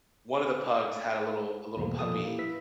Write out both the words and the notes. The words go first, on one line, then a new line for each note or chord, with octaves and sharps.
one of the pugs had a little a little puppy,
E2 G#2 B2 E3 G3 A#3
A#2 F3 A#3 A4 D#6
A#3 E4 G4
E4 B4 E6 B6